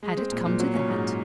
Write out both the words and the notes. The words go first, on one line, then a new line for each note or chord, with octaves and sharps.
Had it come to that?
G#3
C4
A#2
A#2
F#3
C#4
G#2